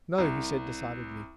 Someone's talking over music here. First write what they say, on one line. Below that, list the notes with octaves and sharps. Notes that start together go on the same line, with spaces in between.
'No,' he said decidedly.
C2